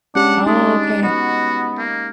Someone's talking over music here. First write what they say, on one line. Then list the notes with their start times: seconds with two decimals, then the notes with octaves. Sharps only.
Oh, okay.
0.15 G#3 C#4 D4 G4 F#5
0.46 G#3 D4 D#4
1.03 B3 F#4 D#5
1.78 A#3